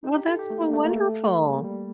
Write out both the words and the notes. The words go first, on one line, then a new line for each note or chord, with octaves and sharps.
Well, that's so wonderful.
D#4
G4
A4
G4
A3
A#3
A3
A#3
A3
G3
A#3
G3